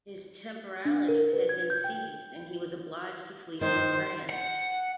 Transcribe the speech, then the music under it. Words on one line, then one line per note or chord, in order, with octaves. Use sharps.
His temporalities had been seized, and he was obliged to flee from France.
D4
A#4
B4
G#6
G6
G5
D#3 D#4 C5
F#5